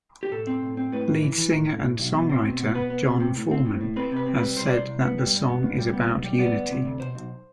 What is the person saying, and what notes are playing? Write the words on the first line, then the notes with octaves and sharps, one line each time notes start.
Lead singer and songwriter Jon Foreman has said that the song is "about unity".
G4
A2 A4
C4
A2
C4
A2 B4
A2
E3
E3
A2
A2
A2
B1
B2
C4
B2
B2
B3 B4
B3
C3
C3
A2
C4
A2
A2
C4 B4
C3 B4
C4
B4
G3
C2 C5
D5
C2 C5
C2
B3
G3
G2
B3
G2
G3
B3
B1
G3
B3 D5
D2
C3
D2
B2 C5
B1